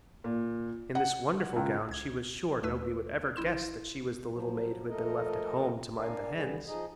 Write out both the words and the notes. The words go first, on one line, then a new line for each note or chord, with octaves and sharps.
In this wonderful gown she was sure nobody would ever guess that she was the little maid who had been left at home to mind the hens.
A#2
F#5
C#2
C#2 G#6
D#2 A3 B4 E6
A1 E4 C6 E7
F3 F#3
F3 A3 A4 A#4 D#5
D4 A#4 D5 F5 G#5
D3 G3 G#4 B4
F3 D#4 G#4 D#5